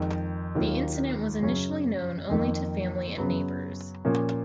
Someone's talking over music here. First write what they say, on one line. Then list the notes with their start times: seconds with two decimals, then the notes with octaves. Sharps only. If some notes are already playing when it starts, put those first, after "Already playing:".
The incident was initially known only to family and neighbors.
Already playing: F2 D#3 G#3 D#4
0.55 D#2 D#3 F#3 A#3 F4
1.42 F#2 C#3 F#3 C#4
2.30 F2 D#3 A#3
3.18 F#2 C#3 F#3 B3
4.05 A#2 F3 A#3 C#4